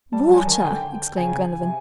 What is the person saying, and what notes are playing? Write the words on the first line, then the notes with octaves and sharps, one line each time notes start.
"Water!" exclaimed Glenarvan.
G3 A5
F#3
G3 G#5
D#3 A5
G#5
D3 G5
C#3 G#5
C3